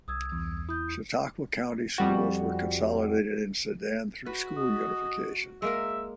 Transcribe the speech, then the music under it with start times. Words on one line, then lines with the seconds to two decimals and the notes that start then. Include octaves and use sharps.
Chautauqua County schools were consolidated in Sedan through school unification.
0.08 C2 D#6 E6 G#6
0.32 E2
0.69 E4 D#6 G6
1.98 F2 G3 F#4
4.26 F#4 B4
4.57 D#5
5.62 G#3 A#3 A#4 E5